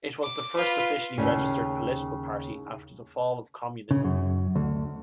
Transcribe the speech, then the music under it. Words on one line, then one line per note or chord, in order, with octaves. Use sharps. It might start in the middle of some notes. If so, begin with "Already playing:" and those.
It was the first officially registered political party after the fall of Communism.
D6
F4 B4
D#2 A#2 C#3
C#3
F#2
D2